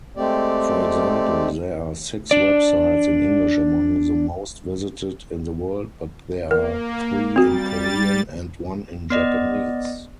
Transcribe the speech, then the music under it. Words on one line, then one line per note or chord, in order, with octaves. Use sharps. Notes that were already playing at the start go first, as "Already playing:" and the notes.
For example: there are six websites in English among the most visited in the world, but there are three in Korean and one in Japanese.
G#3 A3 C4 G4 D5
D4 D5
A#3 A#4
G3 C4 F#4 A6
B3 D5 D#5